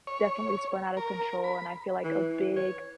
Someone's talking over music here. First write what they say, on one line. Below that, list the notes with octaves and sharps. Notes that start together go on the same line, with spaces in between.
definitely spun outta control and I feel like a big
C#5
A#4
B5
E3
C#5